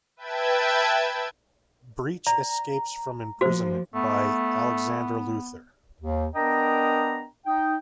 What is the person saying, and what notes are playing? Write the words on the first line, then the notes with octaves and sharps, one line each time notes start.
Breach escapes from imprisonment by Alexander Luthor.
B4 E5 G5 A5 G#6
D5 A#5
A2 F3 A#3 F#4 C5
A3 B3
D#2
B3 D4 A#4 D#5 G5 A#5
D#4 G5